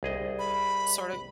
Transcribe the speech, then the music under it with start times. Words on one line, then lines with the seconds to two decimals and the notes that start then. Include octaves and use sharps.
sort of
0.03 C2 G#4 D#5
0.39 B5